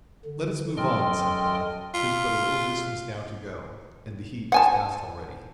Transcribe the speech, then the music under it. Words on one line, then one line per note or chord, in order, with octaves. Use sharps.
'Let us move on,' said Block; 'tis but a little distance now to go, and the heat is past already.
D3
F#2 A4 D#5 G5 C6 F6
F4
F#5 G#5 A5